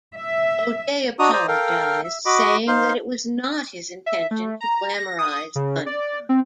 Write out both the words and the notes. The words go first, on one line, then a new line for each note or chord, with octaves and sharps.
O'Dea apologised saying that it was not his intention to glamorise gun crime.
E5
D4 F#4 D#5 A#5 D#6
C5 D5 A#5 D#6
A4 A#4 F5 G5
E5
F#4 D#5 B5 D6
D#4 C5 F5 C6
E5
A3
A#5
A#6
D#6
C#3
D5
C4